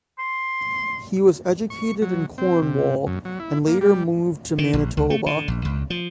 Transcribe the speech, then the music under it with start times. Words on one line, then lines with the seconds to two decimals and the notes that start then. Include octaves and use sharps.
He was educated in Cornwall, and later moved to Manitoba.
0.19 C6
1.70 C#6
2.02 F#3
2.38 C4
2.62 C3
3.07 F#2
3.25 F#3
3.39 E4
3.67 A#3
3.81 G3
4.58 D#3
4.73 A#1
4.97 C#2
5.10 A3
5.26 D3
5.48 A#1
5.65 C#2
5.90 F3